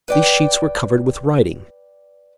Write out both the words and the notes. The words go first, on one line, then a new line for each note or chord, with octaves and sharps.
These sheets were covered with writing.
B4 D5 G5